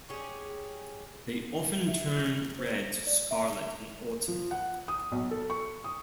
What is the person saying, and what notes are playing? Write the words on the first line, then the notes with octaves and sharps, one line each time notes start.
They often turn red to scarlet in autumn.
C#4 G4 G#4
E5
G6
C5
D5
E5
F3
F#5
D#6
B1
A4
C#6
D#6